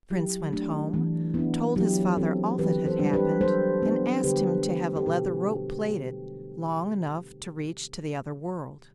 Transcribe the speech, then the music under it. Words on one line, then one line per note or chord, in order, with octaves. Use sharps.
The Prince went home, told his father all that had happened, and asked him to have a leather rope plaited, long enough to reach to the other world.
F#3 E4 G4
A3 D4
E3
B3 D4 E4
F#3 E4 G4
C4 F#4 A4
E3 G4 B4
A4 C5
G3 D4
G4 B4
F#3 A4 C5
B3 D4
D3 G4 B4
F#3 A3
G4
B2 F#4 A4